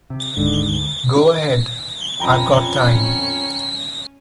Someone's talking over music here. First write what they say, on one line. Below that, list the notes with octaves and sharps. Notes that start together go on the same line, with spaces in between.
Go ahead, I've got time.
C3
D1 G#2 D3 D#3
D2
F2 C#4 G5 A#5 B5